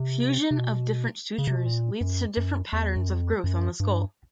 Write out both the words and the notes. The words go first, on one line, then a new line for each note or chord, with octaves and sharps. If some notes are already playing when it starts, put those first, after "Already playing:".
Fusion of different sutures leads to different patterns of growth on the skull.
Already playing: C3
C3
B2
C#3
C3
B2
A#2
F#2
F#2
E2
F#2
F2
F#2
G2